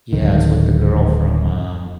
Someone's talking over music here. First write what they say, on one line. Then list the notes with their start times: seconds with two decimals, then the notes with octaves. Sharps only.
Yeah, it's with the girl from, um,
0.13 D1 D#3